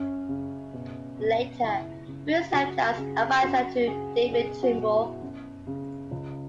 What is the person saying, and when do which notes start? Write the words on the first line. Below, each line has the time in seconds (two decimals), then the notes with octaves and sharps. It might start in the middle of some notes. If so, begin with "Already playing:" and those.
Later, Bew served as an adviser to David Trimble.
Already playing: F#2 C#4
0.29 C#3
0.73 B2
1.19 B2
1.63 C#2 E4
2.08 C#3
2.53 C#2 F#4
2.97 C#3 G#4
3.42 F#2 F#4
3.87 C#3 G#4
4.32 B2 G#4
4.63 F#4
4.77 B2
4.92 E4
5.22 F#2
5.67 C#3
6.11 C#2